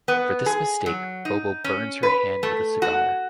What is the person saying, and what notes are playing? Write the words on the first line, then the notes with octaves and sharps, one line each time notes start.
For this mistake, Bobo burns her hand with a cigar.
B3
G#4
F#3
D#4
C#4
B4
A3
F#4